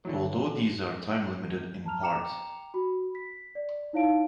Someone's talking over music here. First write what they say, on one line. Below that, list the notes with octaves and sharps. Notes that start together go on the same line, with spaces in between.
Although these are time limited in part.
D3 E3 F#3
A5 A#5 F6 F7
G5 A#5 D6 C#7 E7 F7
F#4 B5
B6
D5
D#4 E4 C#5 F5 A5 D7